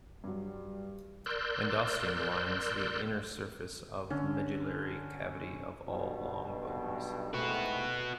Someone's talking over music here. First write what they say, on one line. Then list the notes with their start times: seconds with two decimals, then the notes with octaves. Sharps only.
Endosteum lines the inner surface of the medullary cavity of all long bones.
0.24 G2 F#3 G3
1.26 A#4 D5 C6 E6 F#6 G6
4.10 D3 C#4
5.88 B1 G2 B2
7.34 C2 G#2 A3 F#4 B4